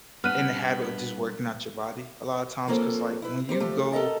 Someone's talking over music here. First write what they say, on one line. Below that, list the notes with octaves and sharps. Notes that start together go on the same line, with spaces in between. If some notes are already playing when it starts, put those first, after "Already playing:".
in the habit of just working out your body, a lotta times 'cause, like, when you go
G3 B3 D4 B4 F6 F#6 D#7
F3 A#3 C4 C#4 A4 C5
E4 B4
C4 G4 A#4 C5
F3 A3 G4
A4 A#4 D#5 A5